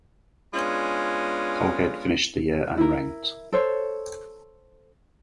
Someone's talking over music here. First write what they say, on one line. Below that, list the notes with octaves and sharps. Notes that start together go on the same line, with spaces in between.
Colgate finished the year unranked.
G#3 B3 C#4 D4 F4
E4 A#4
A4 C5 C#5